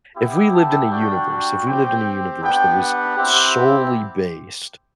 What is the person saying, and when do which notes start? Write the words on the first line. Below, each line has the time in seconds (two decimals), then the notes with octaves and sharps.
if we lived in a universe if we lived in a universe that was solely based
0.16 B3 E4 G4
0.53 A5
0.91 G3 D4 F#4 G5
1.29 G5
1.66 C4 G4 G5
2.41 B3 D4 G4 G5
2.79 F#5
3.16 C4 E4 G4